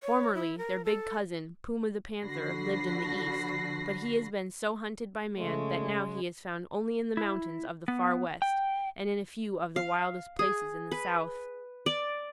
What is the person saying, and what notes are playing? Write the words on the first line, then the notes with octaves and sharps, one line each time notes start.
Formerly, their big cousin, Puma the Panther, lived in the East, but he has been so hunted by man that now he is found only in the mountains of the Far West and in a few of the wildest places in the South.
C#5
E4
A#4
A4
D3 F3 F#4 B5 A#6 C7
C#3 G#3 A3
E4
B3
G5
F5
G#4
B4
D5